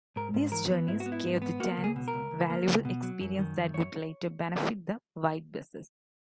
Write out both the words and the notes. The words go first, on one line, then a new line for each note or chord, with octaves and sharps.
These journeys gave the Danes valuable experience that would later benefit the "White Buses".
G#2 A#4
G#2
E3 A#4
B3
G#2 E4
F#4
B3
E4
G#2
B3
A#3 F#4
C#2
G#4
B2
A#4
C#2
C#2
A#3
C#2
B2
F#3
F#2
D#3
F#2
F#2 C#5